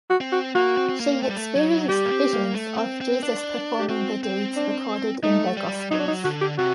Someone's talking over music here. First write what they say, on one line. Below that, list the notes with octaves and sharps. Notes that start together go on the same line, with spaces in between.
She experienced visions of Jesus performing the deeds recorded in the gospels.
F#4
C4
F#4
A#3 F#4
C4
C4
A#3
A3
G3
A3
F#3
G3 G4
A#3
C4
A#3
A3
C4
C4
D4
G4
C4 F#4
C4
D4
A3 D#4
G3
F#3 D#4
D4
D#4
D3 F#4
G4
C3 F#4